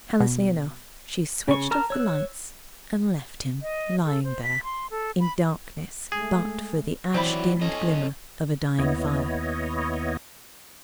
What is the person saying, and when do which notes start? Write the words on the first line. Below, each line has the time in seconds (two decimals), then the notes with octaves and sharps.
Callously enough she switched off the lights and left him lying there, in darkness but for the ash-dimmed glimmer of a dying fire.
0.20 B2
1.48 C#3 C#6
1.71 A#4 A5 A#5 F6
1.90 C#5 E6 F#6
3.62 D#5
4.05 A4
4.24 C5
4.43 B6
4.64 C6
4.91 A4
5.20 B5
6.12 G#3 A3 G#4
7.14 E3 F#3 C4 E4 D5 B5
7.61 C#4 A4 D#5
8.79 D#2 B3 E4 C#5 D#5